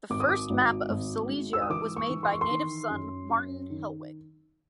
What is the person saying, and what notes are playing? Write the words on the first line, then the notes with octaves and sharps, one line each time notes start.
The first map of Silesia was made by native son Martin Helwig.
G#1 D6
D#6
D6
G#1
G#1
G#2
E6
D#6
E3 D6
C#6
E3
C6
C#6
C6
D#3
F#2
F#2
D#3